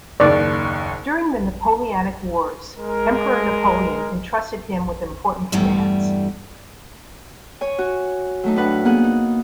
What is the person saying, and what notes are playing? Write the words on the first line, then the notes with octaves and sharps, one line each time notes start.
During the Napoleonic Wars, Emperor Napoleon entrusted him with important commands.
F#1 D#2 D5
G#3 A#4
E2 G2 G3 A3
C#5 G#5
F#4
F#3 A3 D#4
A2 D4 B4 F#5
A#3 B3 G#4 F#5
D#4